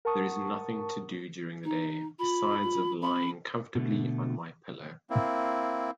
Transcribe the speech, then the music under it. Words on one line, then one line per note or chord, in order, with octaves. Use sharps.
There is nothing to do during the day besides of lying comfortably on my pillow.
A#4 F#5 A5 C#6 D#6
D#4
F4 B5
F4
C4 B5
B2 D3 A3
A#3 C4 E4